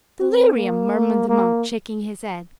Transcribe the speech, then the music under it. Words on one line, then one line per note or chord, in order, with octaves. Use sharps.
"Delirium!" murmured the monk, shaking his head.
C4
A#3
A#3